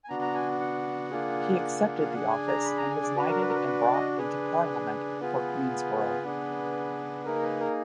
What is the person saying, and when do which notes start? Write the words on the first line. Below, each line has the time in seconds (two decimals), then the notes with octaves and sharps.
He accepted the office, and was knighted and brought into parliament for Queenborough.
0.04 G#5
0.09 B3 D4 F#4 A#5
0.22 A#5
0.34 G#5
0.60 F#5
1.11 A#3 D4 F4 G#4
2.03 F5
2.13 D4 G#4 F#5
2.31 G#5
2.48 A#5
2.65 B5
2.78 A#5
2.90 G#5
3.03 D5
3.16 D4 F#4 B4
3.29 A#4
3.41 B4
3.49 A#4
3.55 B4
3.67 B4
3.80 D5
3.93 D#5
4.18 D4 G#4 B4
5.21 B3 F4 G#4 B4
6.23 B3 D4 G#4
7.25 A#3 D#4 G#4 A#4
7.43 B4
7.60 A#4